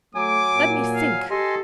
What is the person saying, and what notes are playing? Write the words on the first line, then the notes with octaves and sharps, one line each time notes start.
"Let me think."
F#3 A3 G#5 D6
A#2
F5
G4 A4 D#5 G#5 C6